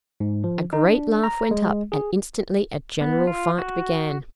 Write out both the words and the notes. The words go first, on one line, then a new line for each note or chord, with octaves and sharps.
A great laugh went up, and instantly a general fight began.
G#2
F3
D#4
D4
A#5
G#3
G#4
B3
F4
F#4